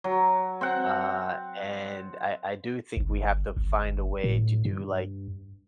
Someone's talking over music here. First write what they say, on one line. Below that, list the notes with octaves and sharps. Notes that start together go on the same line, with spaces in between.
Uh, and I I do think we have to find a way to do, like
F#3
C4 F#5
G1
G1
A2
G2